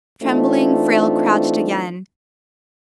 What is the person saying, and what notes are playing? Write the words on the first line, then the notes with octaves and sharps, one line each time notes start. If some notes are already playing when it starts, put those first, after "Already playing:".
Trembling, Frale crouched again.
E3 A3 C4 D4 D#4 F4